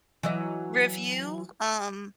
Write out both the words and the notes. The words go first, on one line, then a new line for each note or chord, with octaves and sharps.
review, um,
E3 F#3 D#5